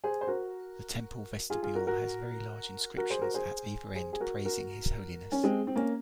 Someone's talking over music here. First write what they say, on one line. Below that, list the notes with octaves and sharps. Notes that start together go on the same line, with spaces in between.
The temple vestibule has very large inscriptions at either end praising his holiness.
G#4 C5
C5
F#4 A#4
F4 G#4
F4 G#4
F#4 A#4
F#4 A#4
F#4 A#4
G#4 C5
F#4 A#4
G#4 C5
G#4 C5
G#4
F#4 A#4
F#4 A#4
C#4
G#3 C4
C4
A#3 C#4